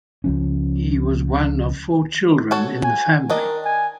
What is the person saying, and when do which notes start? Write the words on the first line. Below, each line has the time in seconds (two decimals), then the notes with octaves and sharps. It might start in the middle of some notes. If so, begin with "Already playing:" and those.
He was one of four children in the family.
0.24 C#2 F3 C#4
2.51 F#4 A4 C#5
2.83 G#5
3.30 D#3 D4 A#4 D#5
3.64 G#5